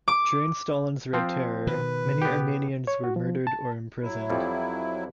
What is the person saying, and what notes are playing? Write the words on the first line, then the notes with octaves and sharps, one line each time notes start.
During Stalin's Red Terror, many Armenians were murdered or imprisoned.
D6
F3 C4
B2 D#3 B4
B3 G4
C#5
F#4
F3
A5
F#3 E4
F2 G3